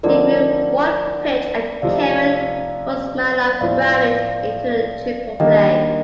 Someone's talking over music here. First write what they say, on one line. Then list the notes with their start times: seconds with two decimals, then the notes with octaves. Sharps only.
He threw one pitch, and Kevin Kouzmanoff grounded into a triple play.
0.03 D3 F3 A3 C4 D#4 A#4 D5
1.82 C3 F3 A3 D#4 D5 F5
3.61 A2 F3 C4 D5 F5
5.40 D#3 G3 A#3 D4 D#5 G5